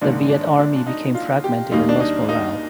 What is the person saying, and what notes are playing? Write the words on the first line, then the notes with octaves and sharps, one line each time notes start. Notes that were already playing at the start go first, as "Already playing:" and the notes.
The Viet army became fragmented and lost morale.
A#1 G#2 D#3 A#3 D4
D4
D4
D4
D#4
F4
G4
D#2 D#3 G3 A#3 D#4
D4
D#4
D#4